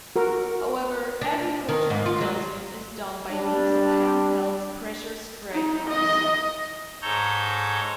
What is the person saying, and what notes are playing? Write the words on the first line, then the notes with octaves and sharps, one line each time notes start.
However agricultural dosing is done by means of hand held pressure spray pumps.
F#4 A#4
D4
D#3
G#2
F4
F#3
G3 D4
D#4
D#5
G#2 A4 C#5 A#5 G6